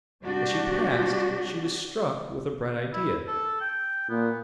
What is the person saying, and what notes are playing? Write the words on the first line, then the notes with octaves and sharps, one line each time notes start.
As she passed, she was struck with a bright idea.
C3 G3 D4 F#4 G4 D5
E4
A4
G5
A#2 B3